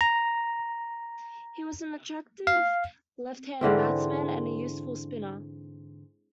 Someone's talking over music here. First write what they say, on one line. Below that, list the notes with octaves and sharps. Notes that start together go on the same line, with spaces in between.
He was an attractive left hand batsman and a useful spinner.
A#5
F5
G#2 D3 E3 C4